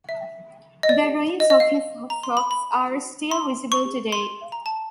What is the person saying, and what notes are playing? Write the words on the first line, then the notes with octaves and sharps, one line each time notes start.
The ruins of his shops are still visible today.
E5
D#5
D5
D#5
D#5
F5
A#5
C6
B5
B5
C6
C#6
C6
A#5
A5